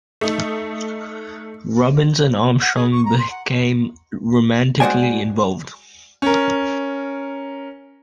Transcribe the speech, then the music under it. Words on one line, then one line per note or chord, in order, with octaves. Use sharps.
Robbins and Armstrong became romantically involved.
A3 D#4
F#5
G#4
C#6
A#5
C6
F#5
G#3 F#4 C5 D5 G#5
C#4 A#4